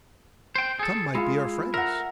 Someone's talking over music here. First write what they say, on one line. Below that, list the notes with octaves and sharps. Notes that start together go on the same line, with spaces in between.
Some might be our friends.
C5 G5
G#4 A4
G#3 E4 F4
A#4 E5 F#5